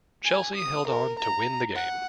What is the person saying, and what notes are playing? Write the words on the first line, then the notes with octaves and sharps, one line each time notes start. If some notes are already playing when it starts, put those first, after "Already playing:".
Chelsea held on to win the game.
G#5
D#6
A#4
A#5
F#5